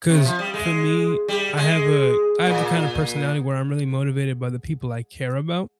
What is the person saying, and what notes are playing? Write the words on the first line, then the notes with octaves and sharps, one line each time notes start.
'Cause for me, I have a I have the kind of personality where I'm really motivated by the people I care about.
C3
F3
G3
G#3
G3
G#3
A#2